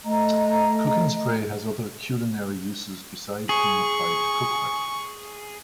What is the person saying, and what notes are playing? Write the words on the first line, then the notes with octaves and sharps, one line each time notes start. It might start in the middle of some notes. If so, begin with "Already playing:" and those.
Cooking spray has other culinary uses besides being applied to cookware.
A3 D#5 A#5
G#4 C#6